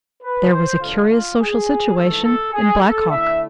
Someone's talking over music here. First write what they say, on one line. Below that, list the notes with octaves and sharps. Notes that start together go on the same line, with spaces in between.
THERE was a curious social situation in Black Hawk.
B4
C5
D3 A3 D4 F4
F4
G#4
G#2 E3 A3 A4
A4
G#4
A4
D3 A3 E4 E5